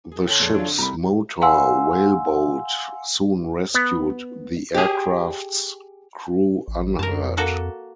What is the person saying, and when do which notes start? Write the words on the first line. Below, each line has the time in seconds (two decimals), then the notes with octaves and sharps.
The ship's motor whaleboat soon rescued the aircraft's crew unhurt.
0.12 G#4 A4
0.27 D3 A4 C#5 G5 C6
0.40 F2 A#2 G#4 D5
0.55 E2 F#3 C#4 D4 F4
0.66 D3 C4
0.79 C2 A#5 B5
1.42 F5 F#5 G#5 C6 E6
3.75 B3
4.74 G4 G#4
6.68 A1
6.99 F#2 A#4 A5
7.21 F2
7.37 A#3 F#4 A4